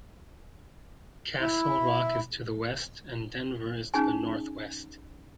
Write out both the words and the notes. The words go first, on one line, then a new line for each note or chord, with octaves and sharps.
Castle Rock is to the west, and Denver is to the northwest.
E4
C#4 D#4 G#4 G#5